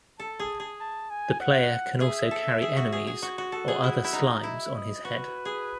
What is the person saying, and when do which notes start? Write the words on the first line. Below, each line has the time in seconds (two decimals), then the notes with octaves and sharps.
The player can also carry enemies or other slimes on his head.
0.19 A4 A5
0.40 G#4
0.60 G#4
0.80 A5
1.10 G#5
1.41 F#5
2.01 G#4 E5
2.31 A4
2.62 G#4
2.77 F#4
2.92 G#4
3.07 G#4
3.22 F#4
3.38 F#4
3.52 A4 F#5
3.68 G#4
3.84 E4
4.04 E4
4.13 D#4
4.43 E4 E5
4.74 D#5
5.05 F#4 B4
5.45 G#4